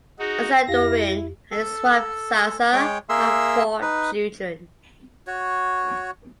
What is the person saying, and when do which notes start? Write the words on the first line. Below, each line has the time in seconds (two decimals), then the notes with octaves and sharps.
Assadourian and his wife Zaza have four children.
0.19 D#4 F#4 G#4
0.67 F2 E4 G4 F5 A#6
1.51 A4
2.73 G#3 C#5 G5
3.09 A#3 G#4 A#4 E5 C6 E6
3.82 D#4 B4
5.26 F#4 C#5